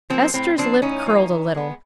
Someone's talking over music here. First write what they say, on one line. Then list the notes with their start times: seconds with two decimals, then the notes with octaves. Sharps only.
Ester's lip curled a little.
0.10 F3 A#3 C4
0.34 A2 C4
0.58 F3 A#3 C4 D4
0.82 A2 C#4 D#4
1.06 F3 A#3
1.29 D#3
1.54 G#3 B3